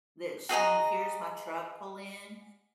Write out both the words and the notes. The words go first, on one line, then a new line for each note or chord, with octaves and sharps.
that she hears my truck pull in,
F#4 G#4 D#5 A#5